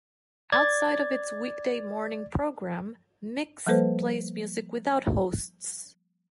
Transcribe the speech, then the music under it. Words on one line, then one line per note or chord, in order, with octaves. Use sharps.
Outside of its weekday morning programme, Mix plays music without hosts.
D5 G#6 A6
F3 G3 A#3 A4 B4 C5